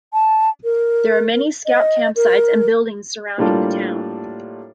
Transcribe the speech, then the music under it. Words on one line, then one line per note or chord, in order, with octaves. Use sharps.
There are many scout campsites and buildings surrounding the town.
A5
A#4
D#5
A#4
A2 G3 A#3 D4 F4 A4